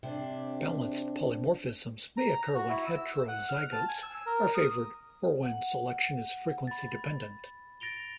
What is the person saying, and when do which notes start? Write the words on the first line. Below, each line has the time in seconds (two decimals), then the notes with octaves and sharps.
Balanced polymorphisms may occur when heterozygotes are favored or when selection is frequency dependent.
0.03 C3 D4
2.17 A#5
2.55 F#4
2.70 E4
2.87 E6
3.28 F#5
3.49 F6
3.73 A5
3.88 G#5
4.03 E6
4.26 A#4
4.55 D#6
5.42 F#5
6.67 B5 A6
7.80 A6 A#6 D7 F7 G7